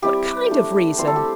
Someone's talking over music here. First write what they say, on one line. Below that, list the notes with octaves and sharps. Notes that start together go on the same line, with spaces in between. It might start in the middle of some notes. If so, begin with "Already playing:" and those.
'What kind of reason?'
G3 C4 E4 G4
A3 D4
G3 C4 E4 C5
A4
G4